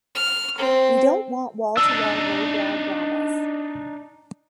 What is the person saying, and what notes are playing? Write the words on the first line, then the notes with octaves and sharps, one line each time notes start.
We don't want wall-to-wall lowbrow dramas!
F6
C4
D4 D#4 E6